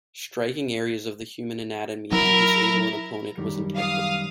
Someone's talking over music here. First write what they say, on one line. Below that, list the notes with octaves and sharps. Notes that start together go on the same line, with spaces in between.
Striking areas of the human anatomy to disable an opponent was integral.
F#3 E4 A#4
F#2 D#3 G3
F5 D#6